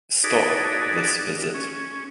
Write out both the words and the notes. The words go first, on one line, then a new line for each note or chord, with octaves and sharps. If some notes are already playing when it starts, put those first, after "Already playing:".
Stop this visit.
D#4 F#4 G#4 A4 B4 D5
C#4